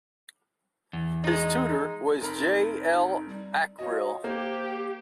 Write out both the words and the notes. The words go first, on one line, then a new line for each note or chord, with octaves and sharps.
His tutor was J. L. Ackrill.
E2
G#3 D#4
F1 D#4 A#4 B5
G3
F4 F#4 C#5 D#5
A#3 G4 C5